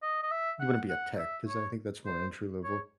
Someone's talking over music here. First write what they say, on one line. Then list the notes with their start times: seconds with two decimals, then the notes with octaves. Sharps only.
you wouldn't be a tech 'cause I think that's more entry level.
0.03 D#5
0.23 D#5
0.31 E5
0.60 F#5
0.90 F#5
1.18 E5
1.48 C#5
2.06 C5
2.63 C#5